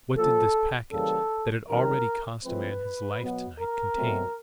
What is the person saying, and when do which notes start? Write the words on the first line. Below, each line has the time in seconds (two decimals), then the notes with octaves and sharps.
What did this package, that had already cost a man his life to-night, contain?
0.16 A#2 F3 A#3 A4
0.92 C#3 E3 G3 A#3 A4
1.68 F#2 D#3 G3 C4 A#4
2.44 A2 F3 G#3 C4 B4
3.21 B2 F#3 B3
3.58 A#4
3.96 B2 F#3 A3 C4